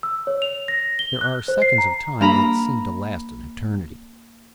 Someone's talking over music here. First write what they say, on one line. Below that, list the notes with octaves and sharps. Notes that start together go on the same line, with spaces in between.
There are seconds of time that seem to last an eternity.
E6
C#5
F7
A#6
G7
F#6
C5
C7
A#5
G3 A#3 D4 A#5 B5